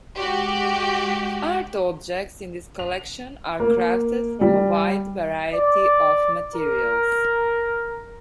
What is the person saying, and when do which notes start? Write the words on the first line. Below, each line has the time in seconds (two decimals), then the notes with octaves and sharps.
Art objects in this collection are crafted from a wide variety of materials.
0.17 G#3 F#4 G4
2.79 F7
3.60 A#3
4.41 G3
5.53 D5
6.55 A#4